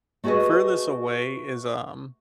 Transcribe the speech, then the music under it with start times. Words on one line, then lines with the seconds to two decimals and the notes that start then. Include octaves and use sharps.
furthest away is, um,
0.24 A3 F#4 G#4 A#4 B4 D#5